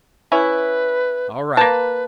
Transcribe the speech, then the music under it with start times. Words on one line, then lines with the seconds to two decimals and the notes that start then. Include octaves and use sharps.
All right.
0.32 C#4 E4 B4
1.57 A#3 B4 A5